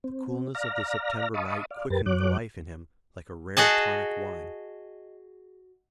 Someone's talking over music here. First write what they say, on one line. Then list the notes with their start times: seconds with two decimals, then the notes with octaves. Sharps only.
The coolness of the September night quickened the life in him like a rare, tonic wine.
0.04 C4
0.55 D5 F5 A#5 F6 A#6
1.34 D#5 F5 A5 B5 C#6 D#6
1.71 D5 F5
1.90 F#2 G4 A#4 B4 A6
2.06 F#2 F#3 C#5 D6 F#6
3.57 F#4 G#4 D#5 A5